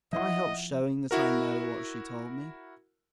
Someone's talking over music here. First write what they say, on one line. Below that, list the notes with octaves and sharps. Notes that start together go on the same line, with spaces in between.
Can I help showing that I know what she told me?
F3 E4 D#5 E5 F#5 C6
E4 F#4 A#4